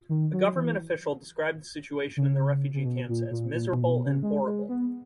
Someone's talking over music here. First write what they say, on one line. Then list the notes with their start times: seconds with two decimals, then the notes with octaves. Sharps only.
A government official described the situation in the refugee camps as "miserable and horrible".
0.09 D#3
0.33 F#3
0.55 E3
2.17 C#3
2.74 C#3
2.85 B2
3.09 A#2
3.31 A#2
3.53 A#2
3.71 B2
3.82 A#2
3.88 B2
4.06 C#3
4.23 G#3
4.46 G#3
4.69 B3